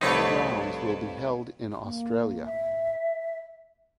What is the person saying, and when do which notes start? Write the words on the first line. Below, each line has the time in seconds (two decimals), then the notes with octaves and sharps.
All rounds will be held in Australia.
0.01 C2 F2 A3 D#4 B4 C#5
1.83 A#3
2.45 E5